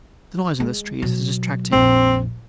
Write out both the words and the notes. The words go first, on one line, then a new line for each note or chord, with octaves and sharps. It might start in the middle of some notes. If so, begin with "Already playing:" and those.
The noise in the streets is distracting.
G#3
B2 F#3
A#1 F2 C4